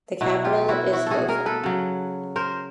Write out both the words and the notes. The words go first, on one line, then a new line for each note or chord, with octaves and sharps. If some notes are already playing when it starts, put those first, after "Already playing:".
The capital is Boffa.
B2 F#3 E4 F#4
F4 G4
E4 F#4
E4 F#4
F#4 G#4 A4
G#4 A#4
A4 B4
C#3 F#3
A#4 C5